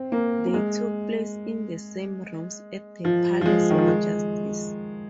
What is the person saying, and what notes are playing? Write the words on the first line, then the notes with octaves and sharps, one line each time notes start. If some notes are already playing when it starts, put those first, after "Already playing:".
They took place in the same rooms at the Palace of Justice.
Already playing: C4
A#3
A#3
G#3
F3
F3
G#3
D#3
F3
G#3